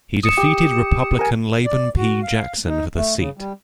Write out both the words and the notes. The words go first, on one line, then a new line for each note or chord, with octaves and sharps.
He defeated Republican Laban P. Jackson for the seat.
D#6 C#7 E7
G4
A#4 G#5
D5
F#4
F5
D#4
A3
C#3
G3